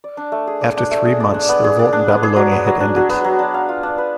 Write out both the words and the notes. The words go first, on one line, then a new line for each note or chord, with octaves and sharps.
After three months the revolt in Babylonia had ended.
D5
D4
A3
G#4
D5
D4
A3
G#4
D5
D4
B3
G#4
D5
D4
B3
G#4
F#3
B3
F#3
D4
F#3
B3
F#3
D4
F5
F4
D4
B4